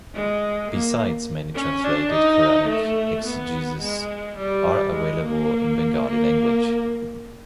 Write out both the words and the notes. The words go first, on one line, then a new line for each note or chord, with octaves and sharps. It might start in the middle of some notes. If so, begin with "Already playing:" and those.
Besides many translated Quranic exegesis are available in Bengali language.
G#3
A#3
C#4
D4
D#4
A3
B3
G#3
G3
G#3
A#3
A#3